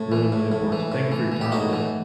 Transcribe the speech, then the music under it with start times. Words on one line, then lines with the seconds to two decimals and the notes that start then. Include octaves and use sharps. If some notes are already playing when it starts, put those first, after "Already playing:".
really, really important. So thank you for your time today.
Already playing: A2
0.12 E3
0.32 A2
0.52 A2
0.72 E3
0.92 A2
1.12 E3
1.32 E3
1.41 G4
1.52 A2 D#4 F#4
1.73 E3